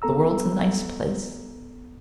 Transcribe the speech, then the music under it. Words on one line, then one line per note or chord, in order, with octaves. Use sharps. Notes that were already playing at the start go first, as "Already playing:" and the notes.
The world's a nice place.
C#2 B3 A4 A#5 E6